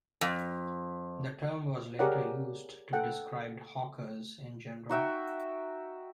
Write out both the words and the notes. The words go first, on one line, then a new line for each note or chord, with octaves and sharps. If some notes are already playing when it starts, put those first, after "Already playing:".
The term was later used to describe hawkers in general.
F2
G4 G#4 A#4 C#5 D5 F#5
A4 F#5 G5
D#4 F#4 E5 G5